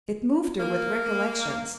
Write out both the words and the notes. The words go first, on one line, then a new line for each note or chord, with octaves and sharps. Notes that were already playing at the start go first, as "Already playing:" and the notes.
It moved her with recollections.
A#3